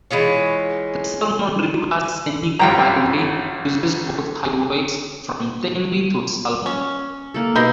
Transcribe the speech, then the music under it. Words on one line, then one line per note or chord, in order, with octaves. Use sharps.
The "Salmon River Scenic Byway" uses both highways, from Stanley to Salmon.
E3 G#3 F4 C#5
G1 F#2 F3 G3 G5 A#5
C#4
A#3 A4
B2 D#4 G4 A#4 B5 C6